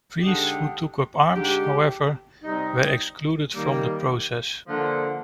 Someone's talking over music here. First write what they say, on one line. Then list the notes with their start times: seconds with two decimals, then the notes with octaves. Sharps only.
Priests who took up arms, however, were excluded from the process.
0.20 D3 G#3 D#4 G4
1.32 D3 G#3 D#4 G4
2.43 C3 G3 C4 D#4
3.55 D#3 G3 A#3
4.67 D3 F3 A#3